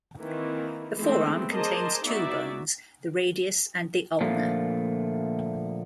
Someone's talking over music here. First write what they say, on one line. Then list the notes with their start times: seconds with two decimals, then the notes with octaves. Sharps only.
The forearm contains two bones: the radius and the ulna.
0.20 D#3 E3 A#3 C4
0.98 E3 G#3 A3 B3 C4
1.53 G#4 A#4 C5 D5 D#5 A5
2.06 B3 D#4 F#4 G#4 D5 E5
4.21 A#2 D3 F3 A3 A#3 F4